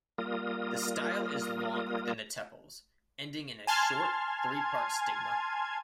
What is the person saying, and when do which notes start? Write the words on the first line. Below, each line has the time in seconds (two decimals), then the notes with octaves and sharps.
The style is longer than the tepals, ending in a short three-part stigma.
0.18 G3 A#3 F4 A#4 D#6
3.67 G#5 A5 C6 F6 G#6